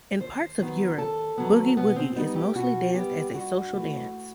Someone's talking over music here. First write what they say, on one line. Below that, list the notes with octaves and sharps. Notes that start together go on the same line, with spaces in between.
In parts of Europe, boogie-woogie is mostly danced as a social dance.
D#2 C5
D#3 F#3 B3
D#2 A4
D#3 F#3 B3
B2 B3
C4
G3 B3 D#4
G4
B2 F#4
G3 B3 G4
G2 F#4
E3 A3